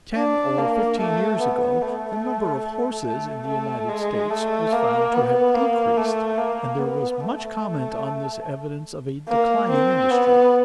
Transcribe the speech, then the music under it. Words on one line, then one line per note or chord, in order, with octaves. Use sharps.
Ten or fifteen years ago the number of horses in the United States was found to have decreased, and there was much comment on this evidence of a declining industry.
D4
A#3
A3
B3
A3
A3
A3
G#3
A3
A#3
B3
A#3
A3
A#3
B3
A3
A#3
C4
B3